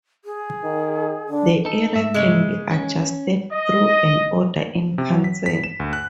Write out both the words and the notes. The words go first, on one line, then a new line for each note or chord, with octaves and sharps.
The area can be adjusted through an Order in Council.
G#4
D#3
D3 D4
D#4 A4
G#2 E5
C#3 G#3
C#4
D#5
C3
F#3
B6
B6
E7
D2
F#6